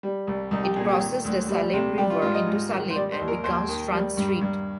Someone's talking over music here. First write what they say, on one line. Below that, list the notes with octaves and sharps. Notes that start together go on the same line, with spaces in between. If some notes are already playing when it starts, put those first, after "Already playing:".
It crosses the Salem River into Salem and becomes Front Street.
G3
C2
C2 D#4
G4
A#2 G#4
G4
D#3
D2
G3
C3
G3 G4
F4
G#2 F4
D#5
G#2
D#3
C5
G3 D5
C5
D#2
A#4
D#2 C5
D#3
G3
G2
G2